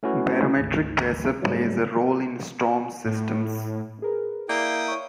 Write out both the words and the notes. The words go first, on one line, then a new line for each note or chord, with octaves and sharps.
Barometric pressure plays a role in storm systems.
A3 C#4 E4 F#4 B4
G#1 D2
G#2 C#3 F#3 G3 A3
A2
G#4 A#4 B4
A#3 E4 D5 G5 D#6
C#5 F5 C#6